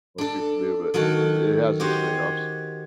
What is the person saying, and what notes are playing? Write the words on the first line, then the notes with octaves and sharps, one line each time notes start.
most people do, but, i it has its trade-offs.
D4 A4
D#3 F#3 F#4 A4
F#4 G4 C5 C#5 D#5